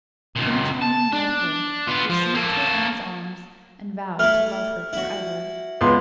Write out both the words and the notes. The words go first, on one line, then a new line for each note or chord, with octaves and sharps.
King Charming met her, received her in his arms, and vowed to love her for ever.
C#2 A#2
A5
D4
B3 F4
F3
A#3 A4
A3 E4 F6
E4 F#4
C#2 B3 C6